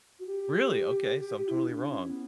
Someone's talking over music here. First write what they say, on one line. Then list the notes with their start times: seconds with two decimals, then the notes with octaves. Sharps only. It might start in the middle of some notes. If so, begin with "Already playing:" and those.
Really? Okay, so I'm totally wrong.
0.19 F#4
0.26 G4
1.48 E4
1.68 D4
1.88 C#4
2.09 B3